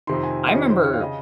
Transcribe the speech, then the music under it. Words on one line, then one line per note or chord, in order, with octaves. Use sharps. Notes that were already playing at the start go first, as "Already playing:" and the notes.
I remember
F2 C3 D#3 C6
G#5
D#5
F2 C3 D#3 C#5
C5
C#5
F5
C#3 D#5